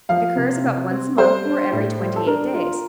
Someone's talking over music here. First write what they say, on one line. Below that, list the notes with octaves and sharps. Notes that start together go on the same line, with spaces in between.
It occurs about once a month or every twenty-eight days.
F3 F5
C3
C3
C4
G3 C5
D4
A2
G3
A4
D4 A#4
F4